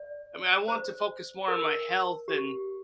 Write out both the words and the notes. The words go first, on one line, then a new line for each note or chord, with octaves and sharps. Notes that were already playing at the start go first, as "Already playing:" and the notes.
I mean, I want to focus more on my health and
Already playing: D5
C5
A#4
G4